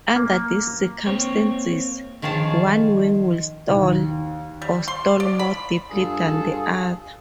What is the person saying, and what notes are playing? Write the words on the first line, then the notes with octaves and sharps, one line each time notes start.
Under these circumstances, one wing will stall, or stall more deeply than the other.
A#3
A#3 C4 C#5
D#3 F3 G#4 C#5 A5
D#2
G3
C6
D5
B5
G2 F4 G#4 A4